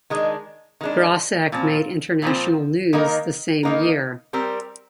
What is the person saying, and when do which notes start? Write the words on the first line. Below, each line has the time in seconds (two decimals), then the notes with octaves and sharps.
Grossack made international news the same year.
0.10 D#3 G#3 D4
0.81 D#3 G#3 D4
1.52 A#2 F3 C4
2.22 A#2 F3 C4
2.93 D#3 A#3 D#4 A#4
3.63 D#3 A#3 D#4 A#4
4.33 G3 C4 G4 A#4